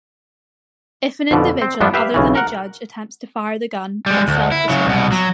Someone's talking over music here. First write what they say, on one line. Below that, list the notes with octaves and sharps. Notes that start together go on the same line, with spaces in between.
If an individual other than a judge attempts to fire the gun, it self-destructs.
F2 B2 D3
C4
G2 F3 B3 D4
G4 B4 E5 F5
B1 C#3 E3
A#4 F#5
G3 G#3
D2
E4
C#3 F#3
C2 B2
F#3